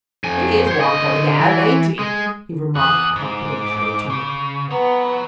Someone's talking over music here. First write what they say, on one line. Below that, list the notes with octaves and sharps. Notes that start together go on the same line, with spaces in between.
"He is one for the gab, ain't he?" he remarked confidentially to me.
F2 G#5
C5 C#5
D3 D#5
E3
G#3
E2 D#6 F#6
G#2 D6
C#3
B3 C#5 A#5